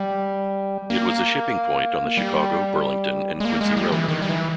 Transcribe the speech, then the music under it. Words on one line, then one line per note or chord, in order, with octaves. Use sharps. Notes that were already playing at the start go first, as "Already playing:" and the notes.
It was a shipping point on the Chicago, Burlington and Quincy Railroad.
Already playing: G3
A#3
G3
G#3
A#3
G#3
G3
E3
D#3
G3
E3